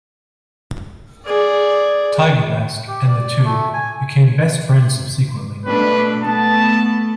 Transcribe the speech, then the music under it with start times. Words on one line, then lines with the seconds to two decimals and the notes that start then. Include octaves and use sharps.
Tiger Mask, and the two became best friends subsequently.
1.25 G#4 D5
2.88 G4
3.07 D5
3.44 A3
3.74 G#5
5.66 B2 A3 D4 B4
6.22 A3 B3 A5